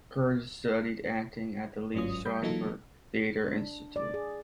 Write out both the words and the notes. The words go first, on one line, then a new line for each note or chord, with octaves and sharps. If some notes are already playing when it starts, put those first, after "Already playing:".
Curtis studied acting at the Lee Strasberg Theatre Institute.
G1 G#2 F#3 C#4 F4 D#6
G3 B5 G6
E3 F#3 A#3 D#4 F4 A4
D4
D5
G#4